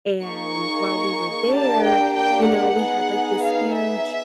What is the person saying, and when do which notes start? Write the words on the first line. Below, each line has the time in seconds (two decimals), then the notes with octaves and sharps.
and while we were there, you know, we had, like, this huge
0.23 A#3 D#4 G#4 C#6
1.51 A#3 D4 G4 A5
1.83 G5
2.15 G5
2.48 F#5
2.80 B3 D#4 G#4
3.44 F5
3.76 E5